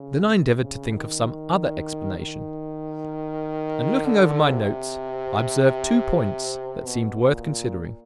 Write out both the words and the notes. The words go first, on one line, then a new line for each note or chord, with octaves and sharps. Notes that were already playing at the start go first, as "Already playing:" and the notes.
Then I endeavoured to think of some other explanation; and looking over my notes I observed two points that seemed worth considering.
Already playing: C#3
C3
C#3
D#3
D#3
D3
C3
B2
A#2